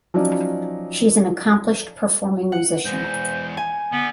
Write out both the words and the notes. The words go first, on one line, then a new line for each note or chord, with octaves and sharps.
She is an accomplished performing musician.
F3 F#3 C#4 D#4 D5
F#5
E2 G#3 C5
G#5
D3 B3